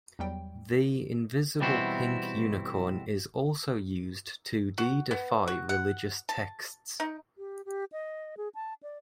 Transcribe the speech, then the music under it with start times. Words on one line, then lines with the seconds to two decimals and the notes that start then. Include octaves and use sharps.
The Invisible Pink Unicorn is also used to de-deify religious texts.
0.19 E2 F#3 G3 G5
1.60 B2 E3 G3 C4 E4 F#4
4.78 F#4
5.11 B3
5.48 F#4
5.69 F#5
6.29 A5
7.00 D#4
7.38 G4
7.65 G4
7.92 D#5
8.37 G#4
8.55 A5
8.83 D5